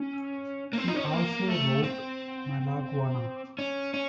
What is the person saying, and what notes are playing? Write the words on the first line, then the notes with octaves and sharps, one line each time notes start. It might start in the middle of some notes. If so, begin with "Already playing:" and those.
He also wrote Malaguena.
Already playing: C#4
A#3
C4
D#4
C#4
C4
A#3
A3
C4
C#4
C#4